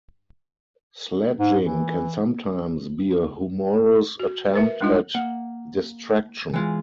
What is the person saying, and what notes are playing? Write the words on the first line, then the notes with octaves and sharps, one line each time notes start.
Sledging can sometimes be a humorous attempt at distraction.
G#2
E3
F#4
A#4 B4 E5
G3 G#3 D4 D#4 F4 D#5
A#3 F#5
E3 G#3 F4